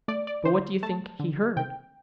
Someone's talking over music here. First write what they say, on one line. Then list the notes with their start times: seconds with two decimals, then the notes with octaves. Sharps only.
But what do you think he heard?
0.08 A3 D5
0.27 D5
0.45 D3 C5
0.83 A3 A5
1.19 D3
1.56 C3 G5